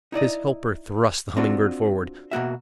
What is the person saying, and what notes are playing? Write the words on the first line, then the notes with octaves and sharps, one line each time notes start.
His helper thrust the Humming-Bird forward.
D#4 E4 D5 D#5
C4 D4 F4 F#4
B2 A#3 F#4 E5